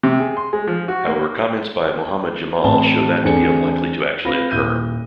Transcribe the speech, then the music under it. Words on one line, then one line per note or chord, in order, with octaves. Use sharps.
However comments by Mohammed Jamal show that to be unlikely to actually occur.
C3
G#4
C6
G#3
F3
F#4
A#3
A1 A2 C4 A5 G7
E2 C4 D4 G#4 A4 C#7
C4 F4 B4 B5 A#6
D#1 E4 G6 D#7